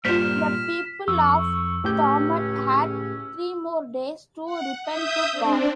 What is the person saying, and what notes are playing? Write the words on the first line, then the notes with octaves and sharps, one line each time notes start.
The people of Thamud had three more days to repent to God.
G2 A#2 G3 F4 C5 F6 B6 E7
F2 C#6 E6
C#2 A2 C#4 G4 G6
F#5
E5 D#6 G6
C4 D4